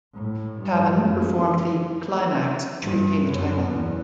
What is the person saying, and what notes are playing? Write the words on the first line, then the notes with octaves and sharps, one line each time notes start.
Taven performed the "Climax" to retain the title.
A2
G2
F#2
G2
F#2
E2